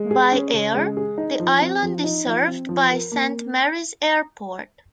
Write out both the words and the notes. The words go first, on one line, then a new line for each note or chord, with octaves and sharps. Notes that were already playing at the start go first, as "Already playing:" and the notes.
By air, the island is served by Saint Mary's Airport.
Already playing: G#3
G#4
C#4
C#3
G#3
G#4
D#4
F3
C4
F3
D#4
F3
C4
F3
A#4
A#3